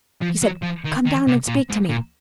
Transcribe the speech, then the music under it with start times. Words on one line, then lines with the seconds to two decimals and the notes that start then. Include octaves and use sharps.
He said, 'Come down and speak to me!
0.22 F3
0.43 F#3
0.63 F3
0.85 D#3
1.06 D#3
1.27 C3
1.47 A#2
1.69 G#2
1.89 A#2